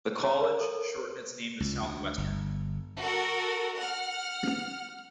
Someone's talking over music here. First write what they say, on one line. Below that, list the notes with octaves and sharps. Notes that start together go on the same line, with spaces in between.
The college shortened its name to Southwestern.
C#5
A#4
A4
C#2
D2
G1
F#4 A4 A#4
F#5 F6